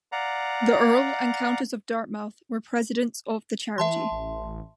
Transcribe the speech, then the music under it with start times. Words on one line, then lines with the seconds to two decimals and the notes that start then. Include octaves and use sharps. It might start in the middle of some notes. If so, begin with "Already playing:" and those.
The Earl and Countess of Dartmouth were Presidents of the charity.
0.12 D5 F5 F#5 A#5
3.78 E3 E5 A5 C6
4.11 A1